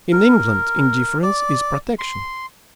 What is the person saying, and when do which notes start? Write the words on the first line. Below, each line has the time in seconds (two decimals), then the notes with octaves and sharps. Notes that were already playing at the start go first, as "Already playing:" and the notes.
In England, indifference is protection.
0.12 A#4
1.23 D5
1.99 C6